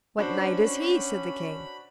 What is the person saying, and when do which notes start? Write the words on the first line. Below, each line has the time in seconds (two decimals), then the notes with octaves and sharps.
What knight is he? said the king.
0.19 C#4 D4 F#4 C5 B5